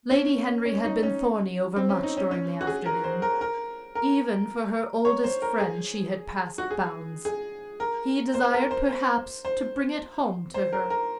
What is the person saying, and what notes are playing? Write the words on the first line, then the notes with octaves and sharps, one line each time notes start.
Lady Henry had been thorny over much during the afternoon; even for her oldest friend she had passed bounds; he desired perhaps to bring it home to her.
C#4
C#4
D#4
C#4
C4
C#4
D#4
C#4
C#4
F#4
G#4
A#4
C5
A#4
A#4
A#4
C#5
C5
A#4
G#4
F#4
G#4
G#4
A#4
C5
A#4
C5
C5
C5
C5
A#4
A#4